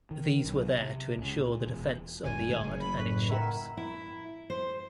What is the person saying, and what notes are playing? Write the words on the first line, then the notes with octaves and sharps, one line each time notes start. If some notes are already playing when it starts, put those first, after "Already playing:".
These were there to ensure the defence of the yard and its ships.
D#3
B1
C3
C#2
A#2
E1
G1 F#2 A#2 G#5
A2 D3 G#3
F#1 F#2 C#3
B5
A2 B4
D#3 E4 E5 F#5
E4
C5